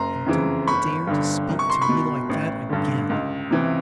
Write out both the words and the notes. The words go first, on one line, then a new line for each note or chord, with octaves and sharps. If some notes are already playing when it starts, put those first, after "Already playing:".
And don't dare to speak to me like that again.
Already playing: F#1 A#5 C6
F2 C#3 E3
G1 B5 C#6
G2 D3
C2
C#6
C6
B5 C#6
B2
A1
G2 D3
C#2
C3 E3